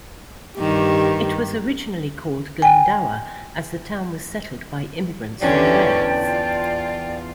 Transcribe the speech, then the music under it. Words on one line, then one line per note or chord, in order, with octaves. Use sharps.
It was originally called Glendower as the town was settled by immigrants from Wales.
G2 D#3 G4
G5 G#5
E2 D3 C#4 G4 D5 G5 A5
F4